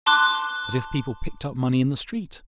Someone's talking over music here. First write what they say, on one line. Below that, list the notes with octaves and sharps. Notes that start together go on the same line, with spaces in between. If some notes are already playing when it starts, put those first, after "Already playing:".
As if people picked up money in the street!
A5 C6 D6 F#6